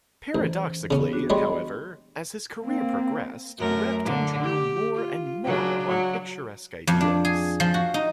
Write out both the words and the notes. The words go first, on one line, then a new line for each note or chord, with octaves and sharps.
Paradoxically, however, as his career progressed Repton drew more and more on picturesque ideas.
A1 E3 C5
C#3 B3 C#4
D4 F#4
G3 G#3 C#5 D#5 B5 C6
A#3 C4
F#2 A3 A#4
D3
G4
F4
C#3 F#3 D4
F#3
F2
D4
G#4
F3
F#4
D#4